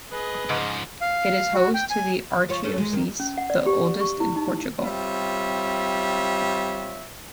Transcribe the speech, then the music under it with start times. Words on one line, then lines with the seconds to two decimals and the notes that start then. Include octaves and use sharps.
It is host to the archdiocese, the oldest in Portugal.
0.12 G#4 B4 D#5
0.50 G#2 C#3 F3
1.01 F5
1.54 F#4
1.74 G5
1.90 G#5
2.49 F3 F4 C#5
2.63 A3 C#4
2.78 G#3
2.93 D#3
3.20 C#4
3.38 F#5
3.50 D5
3.66 G4
4.00 C#6
4.20 E4
4.36 D#4
4.85 G3 C4 F4 C#5 E5